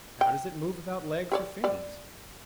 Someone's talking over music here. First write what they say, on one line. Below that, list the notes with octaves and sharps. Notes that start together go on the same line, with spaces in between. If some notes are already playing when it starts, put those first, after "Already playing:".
How does it move without legs or fins?
G5
G4 C#5 D5
G3 D5